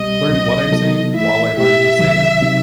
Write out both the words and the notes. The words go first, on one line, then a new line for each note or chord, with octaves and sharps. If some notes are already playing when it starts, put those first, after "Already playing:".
learn what I'm saying while I learned to say it,
Already playing: C2 B2 G3 C4 D#5
C2 B2 F#3 C4
C3 F#3 B3 D#4 A4
E3 A3 E4 E5
B2 A3 E4 G4 E5
C2 C3 D#3 F#3
C3 F#3 C4 D#4